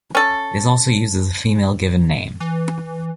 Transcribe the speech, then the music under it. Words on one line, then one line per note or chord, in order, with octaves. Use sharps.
It is also used as a female given name.
C#4 A4
E3